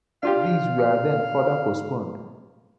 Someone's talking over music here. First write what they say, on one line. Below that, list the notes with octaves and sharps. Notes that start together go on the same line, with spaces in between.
These were then further postponed.
D4 F4 G4 F5